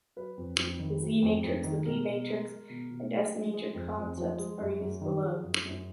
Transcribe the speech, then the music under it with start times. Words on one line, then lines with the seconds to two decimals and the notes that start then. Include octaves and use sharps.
The Z-matrix, P-matrix and S-matrix concepts are used below.
0.16 F#3 B4
0.37 F2
0.59 F2
0.79 D#3
1.01 F#3
1.22 F2
1.43 F2
1.64 D#3
1.85 B2 A#4
2.06 B2
2.27 G#3
2.48 G#3
2.69 B2
2.91 B2
3.12 F#3
3.33 F#3
3.53 G#3 G#4
3.75 F2
3.96 F2
4.18 F3
4.38 G#3
4.60 F#2
4.81 F#2
5.01 D#3
5.23 F3 G#4
5.43 F#2
5.65 F#2